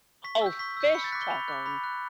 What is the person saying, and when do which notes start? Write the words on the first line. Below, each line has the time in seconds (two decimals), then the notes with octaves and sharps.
Oh, fish taco.
0.24 C#6 B6
0.41 E6 G6
0.59 C#6 B6
0.77 E6 G6
0.95 B5 C#7
1.04 A6
1.12 F#6 B6
1.15 D6
1.22 G7
1.31 B5
1.48 D6 F#6
1.66 B5
1.84 F#6